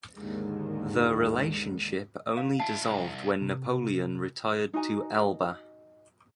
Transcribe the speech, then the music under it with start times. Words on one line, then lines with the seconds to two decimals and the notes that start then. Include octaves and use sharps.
The relationship only dissolved when Napoleon retired to Elba.
0.14 D#2 G#2 D3 D#3 G#3
2.37 F5
2.60 E4 F5 A5
2.81 C2
3.42 C3
4.73 D#4 F#4 G#5 A#5